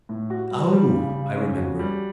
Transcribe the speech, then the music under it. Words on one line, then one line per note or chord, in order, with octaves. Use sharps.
"Oh!" I remembered.
A2
F#4
G3
G3
C#3
C#3
C#4
F#4
G3